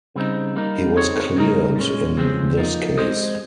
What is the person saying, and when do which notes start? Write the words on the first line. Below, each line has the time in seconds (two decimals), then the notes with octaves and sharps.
He was cleared in this case.
0.16 C#3 G3 C4 D#4
0.56 G3 A#3 D#4
0.96 C4 D#4 G#4 C#5
1.36 C#3 G3 A#3 D#4 A#4
1.76 A#2 G#3 C#4
2.17 C#3 F3 G#3 C4 G4
2.57 F3 A#3 D#4
2.98 G#3 C4 G4 C5 D#5